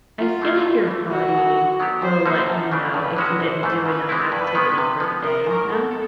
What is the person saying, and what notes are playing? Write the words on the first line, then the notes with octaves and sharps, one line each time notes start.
I feel like your body will let you know if you didn't do enough activity for the day, no?
F#2 F4
D3 F#3 A3 C#4
G2
E3 A3
C2 F#4
B2 F#3
D3
F#3 B3 D4 G4
F2 C5
D3 G3 A#3 D#4
F#2
C#3 E3 A3 D4
G2 B4
E3 G#3 C#4 F#4
A#1 C5
G#2 E3 A3
C#3 B4
E3 G#3 C4 E4
G2 B4
D#3 G#3 B3
C3
F3 G#3 B3
A#1 A#4
G#2 D#3
B2 A4